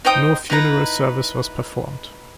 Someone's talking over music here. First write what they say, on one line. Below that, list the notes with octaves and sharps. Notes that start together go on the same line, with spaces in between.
No funeral service was performed.
D#4 C5 G5 D#6
D#4 E4 B4 A#5